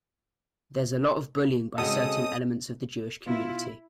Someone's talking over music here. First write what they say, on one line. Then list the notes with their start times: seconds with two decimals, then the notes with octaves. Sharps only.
There's a lot of bullying by certain elements of the Jewish community.
1.78 C#3 G#3 C4 C#4 F#4 A4 D#5 D#6
3.27 B2 E4 F4